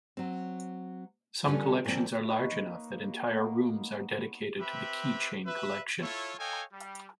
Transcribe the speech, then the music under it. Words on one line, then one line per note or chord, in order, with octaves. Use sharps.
Some collections are large enough that entire rooms are dedicated to the keychain collection.
F#3 C4
D3 G3 C#4 B4 G#5
A#2 E3 F3 A#3 C4
A#3 D#4 B4 C#5
B3
C4 G4 B4 E5 B5
B4 E5
E4 F4 A4 C#5
A4 C#5 D#5 F5 G5 G#5
G3